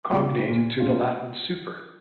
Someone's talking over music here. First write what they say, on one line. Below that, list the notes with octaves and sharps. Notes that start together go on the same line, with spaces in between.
Cognate to the latin super.
C#3 G#3 F4
A#2 A#3 F4
A#2 G#3 C#4 F4